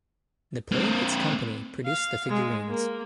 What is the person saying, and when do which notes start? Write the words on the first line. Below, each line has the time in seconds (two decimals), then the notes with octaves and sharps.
The Playmates company produced the figurines.
0.72 A#3 C4
1.86 F5
2.28 G#3
2.68 A#3